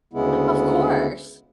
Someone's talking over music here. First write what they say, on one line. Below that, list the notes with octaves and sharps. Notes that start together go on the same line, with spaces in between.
Of course.
D2 C#3 G#3 B3 E4